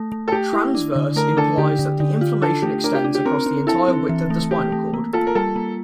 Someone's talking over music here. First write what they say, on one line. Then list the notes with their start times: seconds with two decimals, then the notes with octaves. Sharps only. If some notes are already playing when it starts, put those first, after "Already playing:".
"Transverse" implies that the inflammation extends across the entire width of the spinal cord.
Already playing: A3
0.12 A3
0.28 A4
0.32 A3 G4
0.53 E4
0.75 D4
0.96 D3
1.16 A3 A#4
1.37 D4 A4
1.58 D3 G4
1.79 D3
2.00 D3
2.21 F4
2.42 D4 A4
2.62 A3 G4
2.84 D4 A#4
2.95 G4
3.04 D4
3.15 G4
3.25 C4 A#4
3.46 C4
3.67 E4 A4
3.88 C4
4.09 E3
4.30 A3
4.51 A3 G4
4.72 A3
4.94 A#3
5.13 F4 A4
5.27 A#4
5.35 G3 A4
5.56 A#3